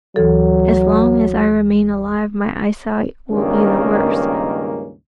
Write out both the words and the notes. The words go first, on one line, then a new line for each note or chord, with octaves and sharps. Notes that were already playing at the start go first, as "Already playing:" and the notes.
As long as I remain alive my eyesight will be the worse.
D2 E3 F#3 A4
C#2 G2 D#3 A#3 C#4